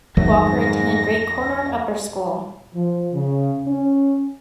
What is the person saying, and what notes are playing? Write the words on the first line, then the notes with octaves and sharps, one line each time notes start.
Walker attended Great Cornard Upper School.
F2 G#2 D#3 F#3 A3 A#6
F3
C#3
C#4